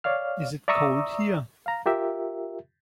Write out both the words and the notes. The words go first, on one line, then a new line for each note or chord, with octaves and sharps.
Is it cold here?
C#5 D5 F5 F6
D5 E5 A#5 C#6 D#6 E6
F5 A#5
F4 G4 A#4 E5